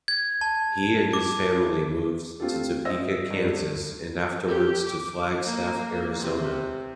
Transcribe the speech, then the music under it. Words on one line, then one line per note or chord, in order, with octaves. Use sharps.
He and his family moved to Topeka, Kansas, and afterwards to Flagstaff, Arizona.
G#6
A5
D6
A3 C4 F4 G4 A4
C5 D#5 E5 E6 A#6
G2
G4
D6
A#3
C3